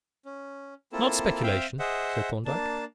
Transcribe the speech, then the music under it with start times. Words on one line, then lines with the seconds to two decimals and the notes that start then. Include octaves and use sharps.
"Not speculation," said Thorndyke.
0.25 C#4
0.92 A#3 C4 E4 F4 A4
1.43 C4 E5 F5 G5
1.79 G#4 C5 D#5 E5 F#5
2.46 A#3 D4 A5